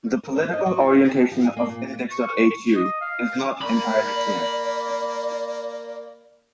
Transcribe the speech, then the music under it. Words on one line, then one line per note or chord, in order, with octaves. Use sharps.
The political orientation of Index.hu is not entirely clear.
A#4
C5
D#5
F#3
F4
C4
G4
F3
G#5
A#3
A#2
C#6
D#5
F5
A#3 D5 B5